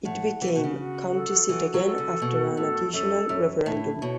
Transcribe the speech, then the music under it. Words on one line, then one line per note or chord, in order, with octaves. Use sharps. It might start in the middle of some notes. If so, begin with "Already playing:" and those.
It became county seat again after an additional referendum.
A2 F#5
E3 F#4
C#3
B2
C#3
F#4
A4
E3 F#4
F#3
A4
C#3
B2 F#4
A2 A4
F#2 A4
F#2 C#5
A2 E4
B2 C#5